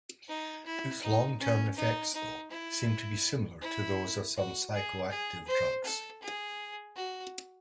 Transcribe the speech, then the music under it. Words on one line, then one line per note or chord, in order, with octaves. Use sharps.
Its long-term effects, though, seem to be similar to those of some psychoactive drugs.
D#4
E4
D#4
C#4
D#4
D#4
E4
E4
F#4
G#4
G#4
C5
A4
G#4
F#4